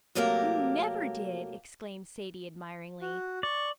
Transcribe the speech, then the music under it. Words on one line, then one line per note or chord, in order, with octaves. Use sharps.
"You never did!" exclaimed Sadie admiringly.
C3 F#3 A3 A#3 G4 A#4
F#4
D5 C#6